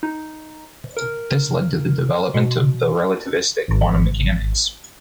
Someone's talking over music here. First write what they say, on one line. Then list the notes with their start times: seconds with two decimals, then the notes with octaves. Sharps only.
This led to the development of the relativistic quantum mechanics.
0.03 D#4
0.97 A#4
2.34 B2
3.68 G#1